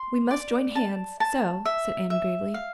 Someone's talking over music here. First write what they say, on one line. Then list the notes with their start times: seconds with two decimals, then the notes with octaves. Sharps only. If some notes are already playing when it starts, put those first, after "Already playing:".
"We must join hands--so," said Anne gravely.
Already playing: C6
0.31 D5
0.75 A5
1.20 A5
1.65 E5
2.10 E5
2.54 F5